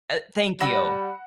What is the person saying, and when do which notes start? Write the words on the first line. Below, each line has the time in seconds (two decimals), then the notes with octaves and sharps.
Uh, thank you.
0.60 G3 F#5 B5 E6 A#6 E7